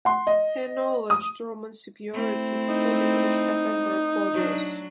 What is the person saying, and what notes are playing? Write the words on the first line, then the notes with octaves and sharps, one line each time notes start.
He acknowledged Roman superiority before the image of Emperor Claudius.
F#5 C6
D#5
D#6
A3 C4 E4
D#4
F#3 D4